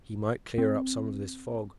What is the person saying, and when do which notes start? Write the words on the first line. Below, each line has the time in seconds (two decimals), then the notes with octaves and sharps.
He might clear up some of this fog.
0.58 C4